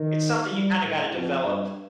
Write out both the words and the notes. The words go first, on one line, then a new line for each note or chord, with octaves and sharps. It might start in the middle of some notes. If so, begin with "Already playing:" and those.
it's something you kinda gotta develop.
Already playing: D#3
G3
A2
F2
G2